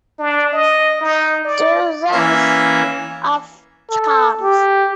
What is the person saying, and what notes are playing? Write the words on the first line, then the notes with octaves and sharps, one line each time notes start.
Dozens of times.
D4
D#5
D#4
D5
E3 A#3 C#4 E5
A4
G4